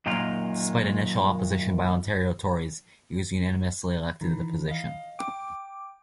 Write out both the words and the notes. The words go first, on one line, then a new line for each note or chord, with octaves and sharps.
Despite initial opposition by Ontario Tories, he was unanimously elected to the position.
F#2 A#2 D#3 G#3 D#4 F4
D#3 E3
D#5 F5
G5 D6